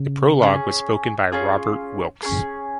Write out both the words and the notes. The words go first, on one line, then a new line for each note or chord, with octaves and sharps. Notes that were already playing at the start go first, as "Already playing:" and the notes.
The prologue was spoken by Robert Wilks.
Already playing: C#3
C#4 F4 G#4
C#4 F4 G#4
C#4 F4 G#4